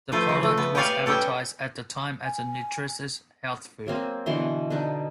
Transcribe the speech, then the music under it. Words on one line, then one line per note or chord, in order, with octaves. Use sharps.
The product was advertised at the time as a nutritious health food.
F3 A3 B4 C5
C#3
A3
B3
G4 B4 C#5 D5 F5 G#5
G3 C#4 G4 A4
G#5
F#3 A#3 C4 G#4
B2 D3 E3 C6
D3 D4 D#4